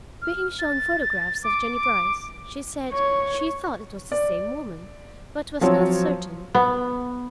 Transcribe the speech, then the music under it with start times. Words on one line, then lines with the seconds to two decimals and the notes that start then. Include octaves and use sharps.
Being shown photographs of Jennie Brice, she said she thought it was the same woman, but was not certain.
0.22 F6
0.59 A6
1.43 D6
2.92 C#5
4.12 D5
5.61 F3 F#3 C4 C#5
6.55 B3